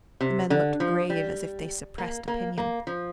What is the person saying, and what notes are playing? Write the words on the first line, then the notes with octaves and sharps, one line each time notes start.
The men looked grave, as if they suppressed opinion.
C3
D3
F3
G3
A#3
A#3
A#3
F3